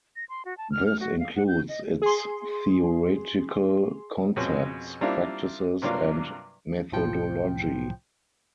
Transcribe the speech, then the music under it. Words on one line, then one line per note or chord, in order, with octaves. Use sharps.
This includes its theoretical concepts, practices and methodology.
A#6
C6
F#4
A5
F6
F6
F#4
F5
F#5
G6
D#5
G#4 C6
F2 B2 G#3 C#4
G3 A#3 C4 D4 E4 F4
G2 C3 F#3 A#3 D4 F4
C2 A2 F3 G5 C#7